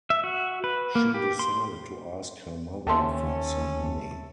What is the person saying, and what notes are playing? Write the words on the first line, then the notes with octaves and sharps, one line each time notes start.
She decided to ask her mother for some money.
E5
F#4
B4
A#3
G4
C6
D#2 C#4 A4 E5 G5 A5 C6